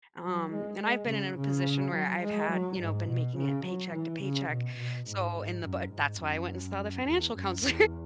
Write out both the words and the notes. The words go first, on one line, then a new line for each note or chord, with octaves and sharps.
um, and I've been in a position where I've had, you know, been making it paycheck to paycheck, so in the bu that's why I went and saw the financial counselor.
F#3
G#3
G#3
C#3
C#3
F#3
G#3
F#3
G#2
B2
C#3
F#3
E3
C#3
B2
B2
G#2
G#2
F#2
G#2
F#2
E2
F#2
E2